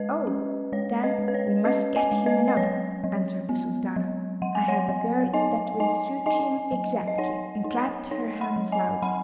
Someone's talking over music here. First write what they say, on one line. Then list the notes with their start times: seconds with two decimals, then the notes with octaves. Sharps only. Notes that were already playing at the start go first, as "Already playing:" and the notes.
'Oh, then we must get him another,' answered the Sultana; 'I have a girl that will suit him exactly,' and clapped her hands loudly.
Already playing: G#3 B4 D#5
0.27 C#4
0.72 G#3 C#5
1.03 B4 D#5
1.19 G#3
1.28 B4
1.34 C#5
1.65 C#4 B4 D#5
1.96 D#5 G#5
2.12 G#3
2.26 B4 D#5
2.48 D#5
2.57 F#3 C#5
3.04 F#3
3.49 B3
3.96 F#3
4.42 F#3 F#5
4.55 G#5
4.68 C#5 F#5
4.89 F#3
5.33 D#4 D#5 G#5
5.80 D#4 D#5 G#5
6.26 D#4 D#5 G#5
6.72 F#3
7.08 D#5
7.18 D#4 C#5 F#5
7.64 D#4
8.11 D#4 C#5
8.41 F#5 B5
8.56 F#3
8.72 D#5 G#5
9.02 F#3 F#5 B5